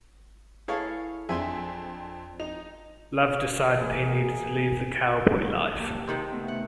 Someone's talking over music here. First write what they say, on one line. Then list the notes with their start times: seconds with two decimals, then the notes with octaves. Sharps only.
Love decided he needed to leave the cowboy life.
0.68 E4 G#4 A4 C#5 F5
1.29 F2 C4 D4 G#4 E5 G#5 C6
2.40 D#4 F7
3.77 E3 A#3 G#4 A#4
5.79 A#3 G4 A5
6.07 C3 D#3 C4
6.31 A3 B3 E5
6.48 F#5